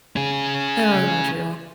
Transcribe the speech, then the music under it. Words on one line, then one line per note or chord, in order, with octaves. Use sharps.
I don't like country at all.
C#4 G#4